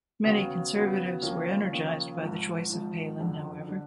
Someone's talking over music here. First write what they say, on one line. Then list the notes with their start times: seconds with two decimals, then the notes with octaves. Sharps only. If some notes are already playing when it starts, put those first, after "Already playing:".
Many conservatives were energized by the choice of Palin, however.
0.24 D#2 C#3 F#3 B3
0.73 D#2 C#3 F#3 B3
1.22 D#2 C#3 F3 A#3
1.72 D#2 C#3 F3 A#3
2.21 G#1 G#2 F3
2.70 G#1 G#2 F3
3.19 F#1 F2 D3
3.68 D3